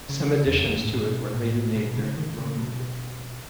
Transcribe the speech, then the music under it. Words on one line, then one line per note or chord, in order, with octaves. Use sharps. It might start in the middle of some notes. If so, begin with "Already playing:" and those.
Some additions to it were later made during the Roman period.
C#3
E2
F#2
G#2
A2
B2
A2
B2
C#3
D#3
C#3
B2